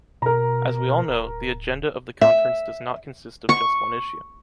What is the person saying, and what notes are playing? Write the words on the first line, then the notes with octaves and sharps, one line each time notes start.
As we all know, the agenda of the Conference does not consist of just one issue.
B2 A#4 A#5
D1
E5
C#6